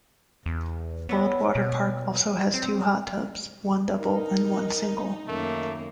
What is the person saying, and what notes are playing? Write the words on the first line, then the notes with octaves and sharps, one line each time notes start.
World Waterpark also has two hot tubs: one double and one single.
E2
F#3 B3 E4
B2
C4
D#4 A#4
F#2 D#3 A3 A#3 A#4